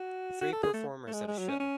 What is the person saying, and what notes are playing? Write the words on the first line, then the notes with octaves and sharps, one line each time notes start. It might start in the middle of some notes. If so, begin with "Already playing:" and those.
Three performers at a show.
Already playing: F#4
F#4
A4
G#4
A3
A3
G#3
G#3
F#3
C#4
C#4